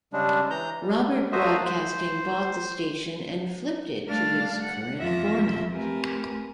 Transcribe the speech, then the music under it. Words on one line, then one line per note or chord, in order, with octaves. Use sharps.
Robbert Broadcasting bought the station and flipped it to its current format.
C#3 G3 G#3 D4
E3 A#5 G6
G3
A3 A#3 F#4 C5 D#5 E5
C5
G3 A3 D4 F5 F6 A6
F#5
F2 E3 F3 F4 E5 A#6
A3 C4 G4 A#4 B4 G#5